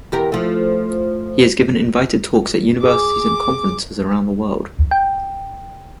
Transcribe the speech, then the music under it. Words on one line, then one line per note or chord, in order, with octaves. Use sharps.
He has given invited talks at universities and conferences around the world.
E2 G4 A#4
F3 A3
G#4 D6
G5